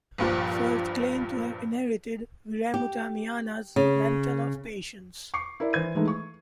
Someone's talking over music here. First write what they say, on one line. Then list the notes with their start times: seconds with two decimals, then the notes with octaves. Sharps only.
Firth claimed to have inherited Wiremu Tamihana's "mantle of patience".
0.18 A#1 G2 A#2 F3
2.74 G4
3.76 C#3
5.34 C#6 D6 C7 C#7
5.60 E4 A#4 D5 E5
5.73 E3 C5 G#6 D#7
5.95 E3 G#3 A3 D#4
6.08 C#6